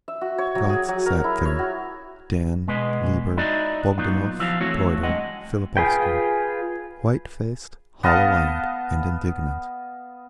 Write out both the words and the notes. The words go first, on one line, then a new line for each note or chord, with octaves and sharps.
Gotz sat there, Dan, Lieber, Bogdanov, Broido, Fillipovsky,--white-faced, hollow-eyed and indignant.
E5
F#4
C#5
F#3
G#4
F#3
A#4
E4
C#5
F#4
B2 G#3 B4 D#5
D#4 E4 F#4 D5 D#5
A#2 F#3 B3 D#4 F4
F3 E4 F#4 C5 F5
E3 A3 C4 F#4 C#5
G2 G#3 D#5 F#5
F4 G#4 B4 G5
B3 D#5 F5 A5